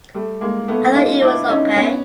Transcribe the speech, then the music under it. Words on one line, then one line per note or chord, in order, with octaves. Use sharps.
I thought it was okay.
G3 A3
G#3 A#3
A3 B3
D#4 F4
D4 E4
C#4 D#4
B3 C#4